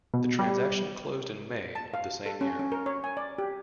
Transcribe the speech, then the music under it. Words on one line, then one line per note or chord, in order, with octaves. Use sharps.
The transaction closed in May of the same year.
B2
G3
A5
F5
A4
C#4
C#4
A#4
C#5
G#5
D5
G4